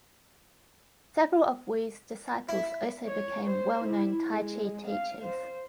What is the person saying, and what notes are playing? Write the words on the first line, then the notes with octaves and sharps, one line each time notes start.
Several of Wu's disciples also became well known t'ai chi teachers.
E4
C#5
C5
E4
G#3
F5
C5